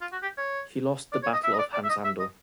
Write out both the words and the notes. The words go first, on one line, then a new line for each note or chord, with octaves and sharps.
He lost the battle of Hansando.
F4
F#4
G4
C#5
D5
C#5
D#5
E5
D#5
D5
D5
E5
D#5
E5
D#5